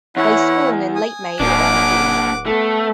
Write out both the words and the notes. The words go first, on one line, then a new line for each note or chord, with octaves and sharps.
They spawn in late May or early June.
E2 E4 C#5 F#5
G#5 D#6
D1 A#3 D4 F#5 D6
A3 B3